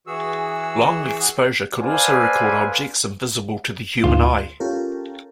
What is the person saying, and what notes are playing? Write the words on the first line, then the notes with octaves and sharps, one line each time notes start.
Long exposure could also record objects invisible to the human eye.
E3 F#4 G#4 E6
A4 B4 C5 D5 F5 G#5
A1 D2 G#2 F4
C#4 F4 G4 A4 A#4